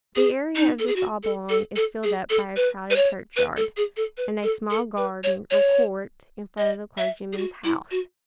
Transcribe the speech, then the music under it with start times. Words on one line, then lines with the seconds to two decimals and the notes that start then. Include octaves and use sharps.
The area of this oblong is filled up by a crowded churchyard, and a small garden or court in front of the clergyman's house.
0.16 G#4
0.55 D#4
0.79 A4
0.87 G#4
0.96 F#4
1.23 A4
1.49 A4
1.76 A4
2.03 G#4
2.30 A4
2.56 B4
2.90 B4
2.96 C#5
3.36 B4
3.57 A4
3.77 G#4
3.97 A4
4.17 B4
4.43 A4
4.70 A4
4.97 B4
5.23 C#5
5.50 C#5
6.58 D#5
6.98 E5
7.33 G#4
7.37 F#4
7.64 E4
7.91 F#4